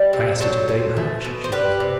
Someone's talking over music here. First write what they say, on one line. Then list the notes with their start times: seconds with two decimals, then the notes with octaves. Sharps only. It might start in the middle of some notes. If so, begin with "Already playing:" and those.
"I asked it of Dame Hatch," she answered.
Already playing: G3 G4
0.13 C3
0.41 F#3 A4 C5
0.69 B2
0.97 A3
1.25 B2
1.44 C5
1.52 G3 G4 B4
1.80 C3